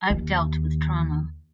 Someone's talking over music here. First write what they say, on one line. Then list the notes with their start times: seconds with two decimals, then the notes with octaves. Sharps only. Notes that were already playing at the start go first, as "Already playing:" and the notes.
I’ve dealt with trauma.
0.10 D#2